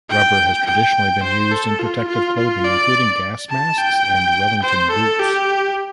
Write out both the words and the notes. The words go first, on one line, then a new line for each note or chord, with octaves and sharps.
Rubber has traditionally been used in protective clothing, including gas masks and Wellington boots.
G5
G5
C5
A4
F4
F4
F4
D5
A5
G5
C5
A4
G4